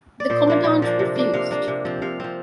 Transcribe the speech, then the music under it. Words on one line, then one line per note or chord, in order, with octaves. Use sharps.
The commandant refused.
D5
A#2 C5
F3 A#3 D4
A#2 G5
F3 A#3 D4
C3
A#3 D4
C3 F5
A#3 D4
C3
F3 C4
C3 F5
F3 C4